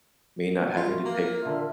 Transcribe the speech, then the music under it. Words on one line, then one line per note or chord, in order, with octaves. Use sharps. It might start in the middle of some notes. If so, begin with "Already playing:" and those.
Me not having to take
E4 F4
F#4
A#3 A#4 F5
D3 F4 E5